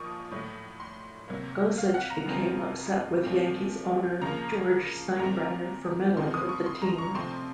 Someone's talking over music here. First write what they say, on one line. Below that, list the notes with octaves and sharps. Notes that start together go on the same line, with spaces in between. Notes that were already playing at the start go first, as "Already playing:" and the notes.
Gossage became upset with Yankees' owner George Steinbrenner for meddling with the team.
Already playing: A#2 F3 A#3 C#6 D#6
A2 F#3 A3
C6
C3 F#3 A#3
F5
F#5
A#5
F#2 C#3 F3 C4
A#2 F3 A3 C4
C#3 F3 A#3 A#5
A#2 A3 C4 A#5
C#3 F3 C4 C6
D#6
C#6
C6
A#5
C#6
C3 F3 A3 C4 C6